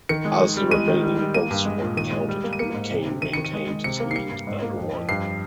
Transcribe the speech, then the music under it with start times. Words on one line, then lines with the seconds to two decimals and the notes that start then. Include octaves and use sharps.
As the remaining votes were counted, McCain maintained his lead and won.
0.09 D#3 C#7
0.25 G#3
0.41 D#3
0.57 G3
0.71 G#3 D#7
0.88 D#3
1.03 G3
1.19 G3
1.34 A#3 D#7
1.50 G2
1.65 G#3
1.82 A#2
1.97 D#3 D#7
2.12 G#3
2.29 G3
2.44 A#3
2.53 D#7
2.59 A#3 C#7
2.74 G#2
2.91 C3
3.06 C3
3.22 D#3 D#7
3.33 D#3 C#7
3.45 D#7
3.53 G#3
3.68 G#3
3.84 C3 C#7
4.00 A#3
4.11 C7
4.15 G3 C#7
4.31 G2
4.47 G#2
4.62 A#3
4.77 F2
4.93 F2
5.09 G2 C7